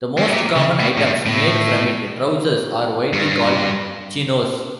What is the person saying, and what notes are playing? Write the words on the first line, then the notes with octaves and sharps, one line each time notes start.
The most common items made from it, trousers, are widely called "chinos".
G2
A2
A#2
C#3
A2
A2
G2
A2
G2